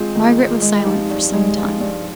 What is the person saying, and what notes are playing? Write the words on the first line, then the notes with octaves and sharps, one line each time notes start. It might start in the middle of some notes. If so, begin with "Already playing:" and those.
Margaret was silent for some time.
Already playing: G#3 C4 F4 G#4
D#3
C4
G#3
F3 D#4 G4
G2
G#3
F3
G2